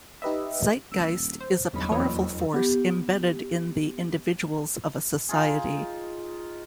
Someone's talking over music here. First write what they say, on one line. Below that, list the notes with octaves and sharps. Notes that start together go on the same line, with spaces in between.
Zeitgeist is a powerful force embedded in the individuals of a society.
D#4 G4 B4 D#5 E5
D#1 E6
C5
G1 E2 F#3 C#4 D#4 B5
F1 F2 A#2 E3 C#5 D#6
B3 G4
D#4 F4 G#4